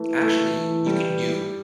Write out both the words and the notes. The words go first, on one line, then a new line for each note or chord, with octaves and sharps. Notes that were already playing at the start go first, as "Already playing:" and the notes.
Actually, you can do
Already playing: E3 A3
A3
G3